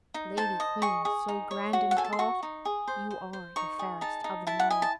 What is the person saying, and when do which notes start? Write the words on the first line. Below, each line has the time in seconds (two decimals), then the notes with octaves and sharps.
"Lady queen, so grand and tall, You are the fairest of them all."
0.14 D#4
0.37 C5 A5
0.60 D#5
0.82 G#4 C#6
1.05 G#4
1.28 D#4
1.51 C#5
1.73 F#4
1.91 F#5
1.97 A4 G#5
2.04 A5
2.13 C6
2.19 F#4 C#6
2.43 D#4
2.65 G#4
2.88 C5
3.11 C5
3.33 C5
3.56 D#4 C#6
3.79 G#4
4.01 D#4 A5
4.24 D#4
4.47 E4 A5
4.59 F#5
4.70 D#5 G#5
4.82 A5